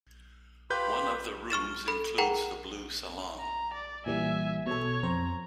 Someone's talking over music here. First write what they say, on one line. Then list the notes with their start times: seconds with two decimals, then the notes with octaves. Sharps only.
One of the rooms includes the Blue Salon.
0.70 F4 G4 B4 B5 G6
1.50 C#6 F6 A6 E7
1.88 A4 B5
2.18 G#4 A#4 F#5 G5 A#5
3.40 A#5
3.73 D5
4.06 A#2 E3 G3 E5 G#5
4.67 B2 A4 C#5
5.03 F2 C4 C5 A#5